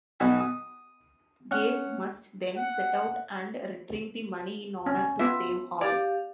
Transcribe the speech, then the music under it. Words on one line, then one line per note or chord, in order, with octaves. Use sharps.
Gabe must then set out and retrieve the money in order to save Hal.
B1 D#4 F#4 G#5 B5
D#6
C#4 F#5
F#5
C#4
B3 F4 E5
G4 D5 F5